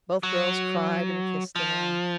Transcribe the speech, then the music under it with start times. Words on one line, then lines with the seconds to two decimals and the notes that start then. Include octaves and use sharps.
Both girls cried and kissed and laughed.
0.23 F#3
1.56 F3